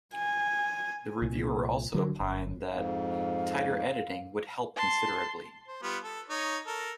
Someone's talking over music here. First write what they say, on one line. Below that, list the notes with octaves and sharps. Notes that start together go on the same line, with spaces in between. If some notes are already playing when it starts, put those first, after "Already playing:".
The reviewer also opined that "Tighter editing would help considerably".
G#5
C2 A#2
D3 F#3
G1
F2 G#2 F5
A5 C6
C5
G3 B3 F4
A4
D#4 C#5
A4 A#4